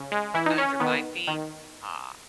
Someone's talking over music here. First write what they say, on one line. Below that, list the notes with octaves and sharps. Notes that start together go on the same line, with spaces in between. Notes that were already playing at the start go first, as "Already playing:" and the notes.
under my feet, uh,
Already playing: C#3
G#3
E3 E4
D#4
C#4
D#3 B3
D#3